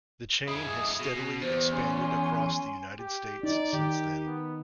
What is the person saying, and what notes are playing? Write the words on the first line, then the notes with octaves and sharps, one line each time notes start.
The chain has steadily expanded across the United States since then.
G#3 E4 G#4 D#6
B2 G#4
E2 G4 C5
C#4 G#5 C6
G4
D#4 D5
D#3 G4
B3